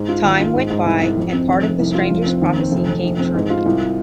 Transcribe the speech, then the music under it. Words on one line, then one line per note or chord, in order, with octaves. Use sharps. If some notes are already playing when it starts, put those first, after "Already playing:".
Time went by and part of the stranger's prophecy came true.
Already playing: G#2
F4
D#2
F4
G#2
G#2
C2
C2
F2
C4
F1
F1
C2
F4
F1
C4
D#2
C4
F1
F1
A#1
C4
G#2
F4
C2